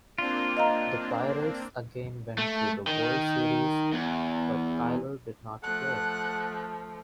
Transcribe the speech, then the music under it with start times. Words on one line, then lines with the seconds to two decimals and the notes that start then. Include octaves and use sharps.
The Pirates again went to the World Series, but Cuyler did not play.
0.18 A#3 C4 D4 F4
0.57 D#5 F5 A#5
2.39 A3
2.87 D#3
3.93 E2
5.63 F3 A3 F#5 F#6